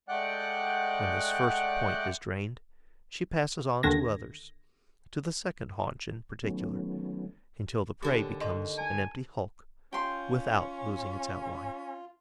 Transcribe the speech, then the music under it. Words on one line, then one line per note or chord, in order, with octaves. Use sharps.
When this first point is drained, she passes on to others, to the second haunch in particular, until the prey becomes an empty hulk without losing its outline.
G#3 A3 D5 F#5 G5 F#6
D#2 D3 G#6 A#6
D#3 F#3 A3 B3 C#4
D#2 D3 G4
A4 D#5 C6
G#5 A5
C#4 F4 G5 C6